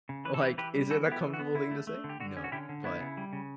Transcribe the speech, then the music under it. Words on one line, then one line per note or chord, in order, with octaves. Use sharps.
Like, is it a comfortable thing to say? No, but,
C#3
E3 B4
A4
E3 G4 B4
E3 G4 B4
G3
E3 F#4 A4
B3
E4 G4
E3
F#4
B3
D3 E4
A3
A3
D3
G4
D3 F#4
C#4
F#4
D3 E4 G4
D3
B3 E4
C#3
G3
C#3